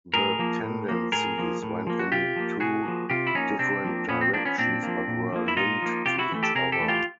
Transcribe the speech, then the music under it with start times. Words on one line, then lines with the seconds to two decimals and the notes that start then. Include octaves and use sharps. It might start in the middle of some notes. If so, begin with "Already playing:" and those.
The tendencies went in two different directions, but were linked to each other.
0.14 A2 G#4 A#4
0.39 F3 A#3
0.63 A2
0.89 F3 A#3
1.12 A2 G#4 A#4
1.38 F3 A#3
1.63 A2
1.87 F3 A#3
1.99 F#4
2.12 C3 F4 G4
2.36 F3 A#3
2.60 C3 F#4 G#4
2.85 F3 A#3
3.10 C3 F4 G4
3.27 E4
3.34 F3 A#3 C#4 D#4
3.59 C3 C4 D4
3.84 F3 A#3
4.09 A#2 B3 C#4
4.21 C4
4.33 F3 C4 D4
4.37 A#3
4.45 B3 C#4
4.58 A#2 C4 D4
4.83 F3 A#3
5.07 A#2
5.32 F3 A#3
5.48 E4
5.56 A#2 D#4 F4
5.82 F3 A#3
6.06 C3 F4 G4
6.18 E4 F#4
6.31 E3 A3
6.43 G4 A4
6.55 C3 G#4 A#4
6.72 G4 A4
6.80 E3 A3
6.88 F4 G4